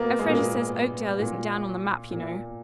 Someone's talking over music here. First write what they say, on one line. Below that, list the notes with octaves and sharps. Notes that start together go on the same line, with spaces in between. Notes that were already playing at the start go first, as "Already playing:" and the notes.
"Elfreda says Oakdale isn't down on the map, you know."
Already playing: A#2 A#3 B3
G#3
A#2 A#3
A#2
A#2